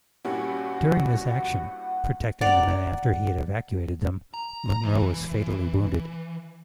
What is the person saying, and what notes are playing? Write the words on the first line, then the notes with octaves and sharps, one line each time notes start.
During this action-protecting the men after he had evacuated them-Munro was fatally wounded.
G2 A#2 C#4 E4 F#4 G4 F#5
D5 F#5 A#5
A#5
E3